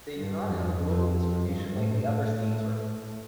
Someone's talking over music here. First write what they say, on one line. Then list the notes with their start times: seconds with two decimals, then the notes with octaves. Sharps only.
They do not have a global distribution like the other sea turtles.
0.18 G2
0.50 F2
0.82 F2
1.13 F2
1.45 G2
1.77 A2
2.09 A2